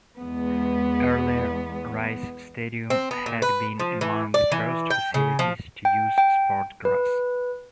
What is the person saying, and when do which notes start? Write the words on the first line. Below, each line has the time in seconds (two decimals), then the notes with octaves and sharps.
Earlier, Rice Stadium had been among the first facilities to use SportGrass.
0.17 E2 G#3 B3
2.90 C4
3.11 B3
3.26 A#2
3.42 B4
3.80 F3
4.01 E3
4.34 D5
4.52 E3
4.90 G5
5.14 C#3
5.39 F3
5.85 G5
6.18 G5
6.85 B4